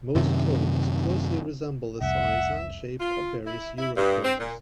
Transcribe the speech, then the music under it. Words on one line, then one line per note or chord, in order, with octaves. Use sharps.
Most coins closely resemble the size and shape of various euro coins.
F#2 C3 D#3
F1 C2 E5 F#5
F4
E4
E4
G2
C4
A#2